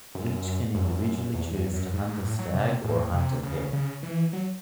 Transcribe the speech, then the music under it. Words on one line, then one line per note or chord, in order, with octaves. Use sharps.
Each can individually choose to hunt a stag or hunt a hare.
F#2
F#2
E2
F#2
E2
E2
F#2
G#2
G#2
A2
F#3
C3
A2
C3
C#3
C#3
E3
F#3